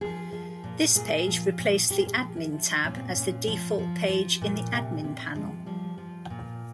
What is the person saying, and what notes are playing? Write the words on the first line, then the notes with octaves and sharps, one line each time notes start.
This page replaced the "Admin" tab as the default page in the Admin Panel.
F3 G#4
F3
A#2
A#2 G#4
F3
A#2
A#2 G4
G#4
G4
F3
E4
F3
A#2 C#4
C4
C#4
A#2
F3
F3
F3
A#2
C3 A#3
C3 A#3
F3 G#3
F3 G3
F3
A#2